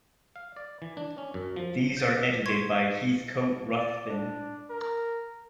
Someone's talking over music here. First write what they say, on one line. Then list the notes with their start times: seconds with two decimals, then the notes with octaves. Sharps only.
These are edited by Heathcote Ruthven.
0.36 F5
0.56 D5
0.82 E3
0.97 D4
1.18 C#4
1.34 F#2
1.56 F3
1.97 G6 A6
2.46 C6 C#6 G#6
3.76 D5
4.10 D4
4.70 A#4